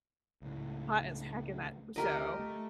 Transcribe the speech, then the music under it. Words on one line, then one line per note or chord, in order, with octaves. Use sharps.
hot as heck in that show,
C#2 A2
D2 G4 A#4 D#5
A3